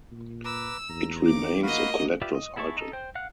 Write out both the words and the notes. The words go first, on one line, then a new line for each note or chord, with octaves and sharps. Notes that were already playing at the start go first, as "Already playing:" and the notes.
It remains a collector's item.
A#2
B4 A#5 D6 E6
E2 A#5
D6
A#3 F#4 D#5 F5 B5
F4 G4 B4 D5 E5
D#5
B3 E4 G#4 A5 C#6
D#4 A4
C5 G5
F5 F#5 F#6